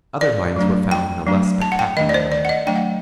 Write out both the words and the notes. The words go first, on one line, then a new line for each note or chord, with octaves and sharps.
Other mines were found in a less spectacular way.
D5
F#3 A3 D4
G5
F#3 A3 D4
A5
F#5
G5
D#3 A3 D4 D#5
D5
C5
D5
F#5
D#5
F#3 A3 D4 G5
F#5